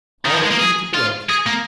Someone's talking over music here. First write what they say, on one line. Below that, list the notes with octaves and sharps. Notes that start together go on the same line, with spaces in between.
"All ready to go out."
D#3
F3
G#3
A#3
G#4
F4
G#4
A#3